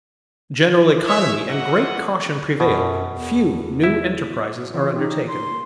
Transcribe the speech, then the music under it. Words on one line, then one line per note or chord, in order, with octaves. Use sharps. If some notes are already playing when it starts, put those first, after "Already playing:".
General economy and great caution prevail; few new enterprises are undertaken.
C#5 E5
A#3 F#4 D#5 E5 F#5
F#2 B2
E2
E4
C#3 E3 F4
D#4 G4
C6
A#3